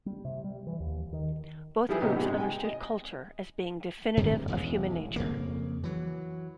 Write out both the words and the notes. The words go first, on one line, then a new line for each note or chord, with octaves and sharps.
Both groups understood culture as being definitive of human nature.
G3
C3
G3
E3
D#2
D#3
F3 G3 E4 G4 G#4 B4
C#2 A#2 B3 D#4 G4
A#1 G#2
C3 G#3
G5 G#5
D#5
G2 C3 D#3
E1 A1 G#3
F2 C#3 A#3
E3 F#3